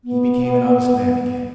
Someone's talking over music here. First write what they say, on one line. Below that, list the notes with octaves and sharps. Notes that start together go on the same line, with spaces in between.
"He became an honest man again!"
B3